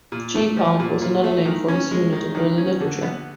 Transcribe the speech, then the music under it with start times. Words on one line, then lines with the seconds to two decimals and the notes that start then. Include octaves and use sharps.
"Geepound" was another name for this unit in early literature.
0.12 A#2
0.35 A3
0.57 F3
0.80 A#2
1.02 A#2
1.24 A3
1.46 D#3
1.68 C#4
1.91 G#3
2.13 D#3
2.35 D#3
2.58 C#4
2.80 D3
3.02 B3